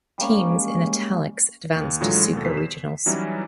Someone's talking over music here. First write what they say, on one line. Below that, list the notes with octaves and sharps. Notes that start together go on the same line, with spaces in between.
Teams in italics advanced to Super Regionals.
G3 G#3 A#3 C#4
D#2
A2 D3 E3 F#3 G#3 F4
D#2 B2 A4
E2 C5 B6 C7
E7
E3 F#3 G3 C#4 D#4 E4